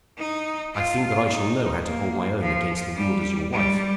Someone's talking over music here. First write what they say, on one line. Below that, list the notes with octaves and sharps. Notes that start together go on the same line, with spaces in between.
I think that I shall know how to hold my own against the world as your wife.
D#4
F4
D#4
A#3
F3
G3
G3